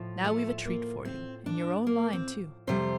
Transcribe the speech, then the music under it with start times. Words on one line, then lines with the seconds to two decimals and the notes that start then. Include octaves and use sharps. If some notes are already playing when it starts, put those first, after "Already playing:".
Now we've a treat for you, in your own line, too.
Already playing: A2 F3
0.24 A3
0.65 A#3
1.05 C4
1.46 D4
1.87 A#3
2.13 C4
2.67 F2 C3 G3 C5